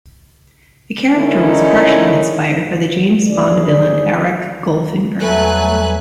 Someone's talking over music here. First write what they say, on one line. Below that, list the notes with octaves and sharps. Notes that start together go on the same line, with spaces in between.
The character was partially inspired by the James Bond villain Auric Goldfinger.
D3 D#3 G#3 C#4 D#4 E4
G1 D#2 D#3 G#4 D5
E2 F#3 G3 A3 A4 B4 G#5 F#6